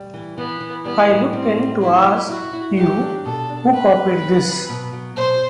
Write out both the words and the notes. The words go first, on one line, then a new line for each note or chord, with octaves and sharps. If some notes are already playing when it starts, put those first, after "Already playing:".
I looked in to ask you who copied this.
Already playing: G3
E3
E3 B3
E3
G3 B3
A2
G3 C4
A2
C4 E4
F#3
E4 F#4
E4
F#3 G4
D4
B2 A4
D4
C4 B4
F#3
C4
F#3
B2
F#3
B2 C5